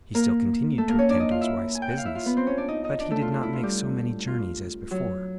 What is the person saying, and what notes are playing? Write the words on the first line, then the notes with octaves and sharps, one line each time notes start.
He still continued to attend to his wife's business; but he did not make so many journeys as before.
A#3 A#4
A3 A4
A#3 A#4
C#4 C#5
D4 D5
D#4 D#5
F4 F5
E4 E5
G#5
G5
F#5
F5
E4 E5
F4 F5
B3 B4
C4 C5
C#4 C#5
D4 D5
D#4 D#5
D#4 D#5
D4 D5
A3 A4
F4
F4
E4
F4
G3 G4
F4
F#3 F#4